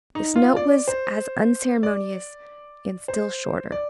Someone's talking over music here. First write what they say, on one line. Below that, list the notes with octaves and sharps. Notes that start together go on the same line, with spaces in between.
This note was as unceremonious, and still shorter.
D#4
F4
D5
C5
D5
C5
D5